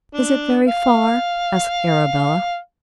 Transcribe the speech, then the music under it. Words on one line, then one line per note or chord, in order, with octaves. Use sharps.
"Is it very far?" asked Arabella.
D4
F5